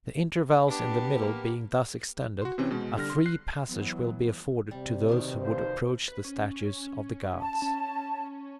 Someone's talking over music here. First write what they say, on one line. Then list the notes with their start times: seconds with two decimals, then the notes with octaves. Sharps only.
The intervals in the middle being thus extended, a free passage will be afforded to those who would approach the statues of the gods.
0.68 B3 D4 G4
1.19 A#3
2.42 F#4 C6
2.58 C3 E3 C4 C#4
2.71 B2 G#3
2.97 D3 G3 F6 A#6
3.10 C6
3.26 F#6 C7
3.68 E3 F#3 B3
4.71 C3 G3
5.08 B2 D#3
5.41 D#2 F3 C5
6.08 B4
6.25 C#4
7.40 A5
7.62 C#4